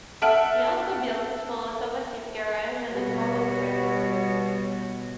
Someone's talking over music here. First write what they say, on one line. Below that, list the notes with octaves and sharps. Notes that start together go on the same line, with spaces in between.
He also built a small automotive garage and a towing service.
A4 E5 F#5 F6 D7 F#7
B2 G3 F#4 C#5